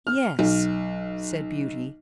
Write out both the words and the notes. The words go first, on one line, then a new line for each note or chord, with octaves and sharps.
"Yes," said Beauty.
F6
B1